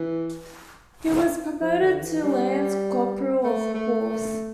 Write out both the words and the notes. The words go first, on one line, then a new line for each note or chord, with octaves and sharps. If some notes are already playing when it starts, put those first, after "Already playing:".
He was promoted to Lance-Corporal of Horse.
Already playing: E3
F3
D3
E3
G3
A3
A3